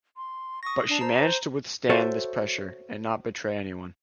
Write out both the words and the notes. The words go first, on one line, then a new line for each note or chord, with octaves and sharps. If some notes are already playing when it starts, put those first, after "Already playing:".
But she managed to withstand this pressure and not betray anyone.
C6
C#6 D#6 A#6
D4 A5 C7
C5 A#5
C5
F#4 A4 C5 C#5 E5 F#5